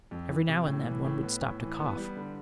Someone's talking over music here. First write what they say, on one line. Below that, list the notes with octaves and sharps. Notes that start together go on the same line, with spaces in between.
Every now and then one would stop to cough.
F2
E3
C3
A2
E3
A2
B3
A2
E3
B3
G3
D3